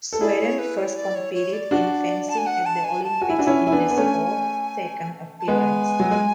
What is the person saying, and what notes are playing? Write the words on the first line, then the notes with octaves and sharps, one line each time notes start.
Sweden first competed in fencing at the Olympics in the sport's second appearance.
A4
E4 G#4 D5
C#5
B4
C#5
D5
C#5
C#5
D5
D4 F#4
A5
G#5
F#5
A5
G#5
A5
F#4 G#5
E4
D4 F#4
C#4 E4
E4
B3 D4
B3
A3 C#4
A5
G#3 B3 G#5
F#3
G#3